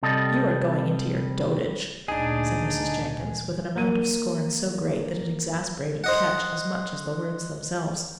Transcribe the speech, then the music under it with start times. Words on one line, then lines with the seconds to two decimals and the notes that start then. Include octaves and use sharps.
"You are going into your dotage," said Mrs. Jenkins, with an amount of scorn so great that it exasperated Ketch as much as the words themselves.
0.03 C3 G3 A4 D#5
2.08 D2 A#2 D4 D#4 G#4 G#5
3.75 A#3 D#7
6.04 C5 D#5 F#5